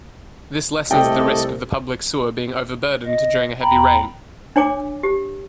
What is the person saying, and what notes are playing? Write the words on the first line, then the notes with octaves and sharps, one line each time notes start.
This lessens the risk of the public sewer being overburdened during a heavy rain.
C2 A3 A4 D5 D#5 G5
D#5
E2 G5 A#5 B5
D4 C#5 G#5 D6
G4